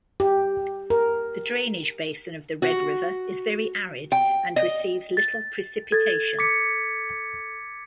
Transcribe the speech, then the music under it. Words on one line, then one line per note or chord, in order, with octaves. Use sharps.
The drainage basin of the Red River is very arid and receives little precipitation.
G4
A#4
F#4
G5
D#5
A6
A4 G#6 A6
D6 B6 C#7